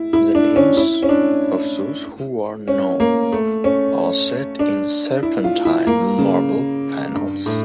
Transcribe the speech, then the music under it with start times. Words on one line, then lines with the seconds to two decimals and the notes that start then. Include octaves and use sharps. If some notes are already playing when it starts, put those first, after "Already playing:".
The names of those who are known are set in serpentine marble panels.
Already playing: E4
0.13 E4
0.35 D4
0.56 C#4
0.77 E4
1.03 C#4
1.09 D4
2.68 C#4
3.00 A#3
3.32 A3
3.64 C#4
4.59 D4
5.23 E4
5.44 F4
5.65 E4
5.87 A#3
6.19 C#3
7.15 G2
7.46 A2